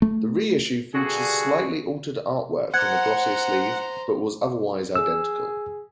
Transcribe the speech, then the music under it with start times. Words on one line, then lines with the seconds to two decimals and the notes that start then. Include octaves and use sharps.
The reissue featured slightly altered artwork on a glossier sleeve, but was otherwise identical.
0.02 A3
0.95 G2 D3 F#4 G#4
2.74 C5 F#5 A#5 F#6 G#6
4.95 G#4 E6